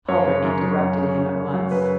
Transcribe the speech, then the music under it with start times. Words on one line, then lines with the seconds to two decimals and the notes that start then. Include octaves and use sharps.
Calder interrupted him at once.
0.08 F#2 C#5
0.27 C#3
0.45 F#2
0.62 F#3
0.81 F#2
0.98 C#3
1.18 F#2
1.36 F#2
1.54 F#3
1.72 F#2 B4